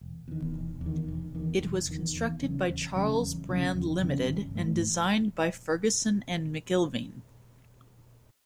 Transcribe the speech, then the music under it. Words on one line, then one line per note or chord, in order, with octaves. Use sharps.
It was constructed by Charles Brand Limited and designed by Ferguson and McIlveen.
E1
E2 D#3
E1
E2
D#3
E1
E2 D#3
E1
E2 D#3
E2
C#3 F#3 C#4
E2
C#3 F#3 C#4
E2
C#3 F#3 C#4
E2
C#3 F#3 C#4
G#1
G#2 E3 A3